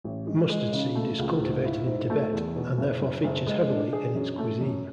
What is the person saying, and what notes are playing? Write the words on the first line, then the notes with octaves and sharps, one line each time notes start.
Mustard seed is cultivated in Tibet, and therefore features heavily in its cuisine.
A1
G#3
G#3
C#3
A3
C#2
G#2
E4
G#2
A3
E2
B2
F#1
F#1
F#1
G#3
D4
G#4
F#2
A3
F#2